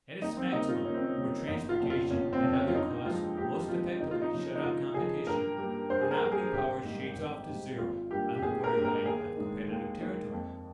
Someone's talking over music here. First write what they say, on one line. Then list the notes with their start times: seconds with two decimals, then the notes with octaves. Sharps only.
At its maximum where transportation and other costs most effectually shut out competition, monopoly power shades off to zero on the border-line of competitive territory.
0.21 D#2 D#4
0.37 C4
0.53 C#3 G3 A#3 D#4
0.69 F4
0.85 D#2 C#4
0.94 C4
1.03 C#4
1.17 C#3 G3 A#3
1.48 G1 D#4
1.69 F4
1.79 F2 C#3
1.90 F4
2.11 G1 C#4
2.33 C4
2.42 F2 C#3
2.53 C#4
2.68 F4
2.74 G2 D#4
3.05 F3 G#3 F4
3.37 G2 G4
3.68 F3 G#3 F4
4.00 C#2 D#4
4.11 F4
4.22 D#4
4.32 C#3 F3
4.55 D#4
4.63 C#2 F4
4.94 C#3 F3 G#4
5.27 G2 A#4
5.58 G3 A#3
5.90 G2 C5
6.01 G#4
6.11 A#4
6.21 G3 A#3 A#4
6.32 G#4
6.53 G#1 G4
6.85 G#2 G3
7.15 G#1
7.48 G#2 G3
7.79 G#1 F4
8.10 G2 G3 A#3 G4
8.35 G4
8.42 G#1 G#4
8.64 A#4
8.74 G2 G3 A#3
8.85 A#4
9.05 D#2 G#4
9.37 D#3 G#3
9.68 D#2
10.00 D#3 G#3
10.31 F2